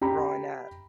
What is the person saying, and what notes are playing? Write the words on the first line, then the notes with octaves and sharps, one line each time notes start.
growing up.
G4 A#5 B5